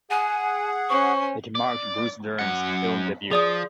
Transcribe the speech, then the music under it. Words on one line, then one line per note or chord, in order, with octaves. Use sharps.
It marked Bruce Dern's film debut.
G#4 F#5 G#5
C#4 C5 C#6
D5
F#2 F#5
F3 G#4 D5 D#6